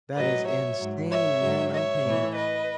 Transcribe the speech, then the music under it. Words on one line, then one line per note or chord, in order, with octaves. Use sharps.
That is insane, man, I'm paying
A2 F#3 B4 D#5
C#5 E5
G#2 F#3
C#5 E5
G#2 F#3
C#5 E5
A2
E3
B4 D#5